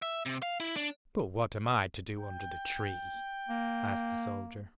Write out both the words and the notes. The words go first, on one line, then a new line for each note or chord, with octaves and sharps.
"But what am I to do under the tree?" asked the soldier.
E5
C3
F5
E4
D4
G5
A#3